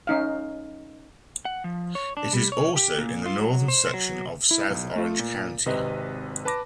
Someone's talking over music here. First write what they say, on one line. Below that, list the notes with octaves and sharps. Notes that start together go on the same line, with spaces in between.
It is also in the northern section of South Orange County.
C#4 D#4 F5
F#5
F3
C#5
D4
G3
C#5
G4
A#2
F4
F#3
C5
F#3
E4
B1
A3 F4
A#2
G#1 C3 B4 D#5
B4 A5 B5 D6 A#6